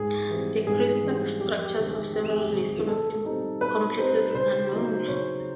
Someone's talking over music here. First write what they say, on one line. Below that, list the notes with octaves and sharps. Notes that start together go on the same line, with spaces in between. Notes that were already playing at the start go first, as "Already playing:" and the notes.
The crystal structures of several nitrophorin complexes are known.
Already playing: G#2 G#4
E3 G3 C4
G#2 G#4
E3 G3 C4
F2 G4
G4
C3 D#3 G#3 C4
G#4
F2 G4
G#4
G4
C3 D#3 G#3 C4
B2 A4
G3 C4 D#4
B2 B4
G3 C4 D#4 C5
C#3 C5
F#3 B3 D#4
C#3 C#5